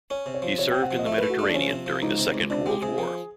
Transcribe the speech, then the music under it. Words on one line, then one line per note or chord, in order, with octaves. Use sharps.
He served in the Mediterranean during the Second World War.
C#4 C#5
C3
C#5
F3
C3 C#5
C3 G5
F#5
F3
D#5
A3 E5
B4
A3
F#4
A3 D4
F3 C#4
C3
F3
C#2 D#4
C3
C#2
C3 D4
G#3 G4
C3 G#4
F3